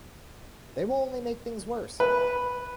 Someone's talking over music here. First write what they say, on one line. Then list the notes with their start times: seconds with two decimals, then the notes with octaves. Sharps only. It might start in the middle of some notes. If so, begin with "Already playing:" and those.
They will only make things worse.
2.00 B4